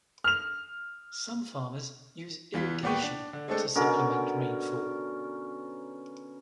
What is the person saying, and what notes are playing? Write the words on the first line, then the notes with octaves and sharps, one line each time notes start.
Some farmers use irrigation to supplement rainfall.
F6 F7
E2 E3 F4 B6
D#2 A#2 B3 G5 C#6
D4
D3
G#3 A3 C4 D4 A4
B2 D3 C#4 A#4